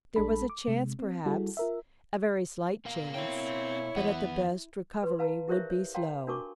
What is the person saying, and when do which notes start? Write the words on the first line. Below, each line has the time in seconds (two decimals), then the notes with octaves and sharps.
There was a chance perhaps, a very slight chance; but at the best, recovery would be slow.
0.16 A#1 G#3 D4 A4 B5
0.50 D6
0.68 C3 G#3
0.99 C4
1.26 G3 E4 F#4 G#4 A4
1.57 F4 A#4 E5
2.85 B2 A#4 F5
3.14 C4 E4 C#5 G5
3.96 E2 B3 B4 F#5
5.03 B4 C6
5.19 B4 F5 A5 A#5
5.48 E4 G4 A#4 C5 C#5 E5
5.70 C#5
5.95 C#5 F5 G5 A5 A#5 C6
6.27 D4 F#4 A#4 A5 C#6 D6